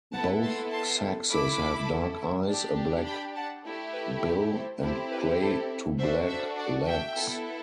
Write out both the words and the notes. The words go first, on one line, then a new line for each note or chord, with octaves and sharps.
Both sexes have dark eyes, a black bill and grey to black legs.
B3 E4 A4 F#5 A5
A5 C6
A5 C6
A3 E4 A4 B5 D6
D4 G4
G5 B5
F#5 A5
A3 E4 G4
B4
A4 C5
C4 E4 G4 A4
B4
A4 C5
D4 F#4 A4 C5 E5
C5 E5
D5 F#5
E5 G5
B3 E4 A4